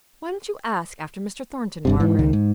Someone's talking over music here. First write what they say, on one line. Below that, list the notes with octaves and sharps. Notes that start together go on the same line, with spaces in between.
Why don't you ask after Mr. Thornton, Margaret?
G1 G2 C3
G#2 E3
C#2 D#3
G#2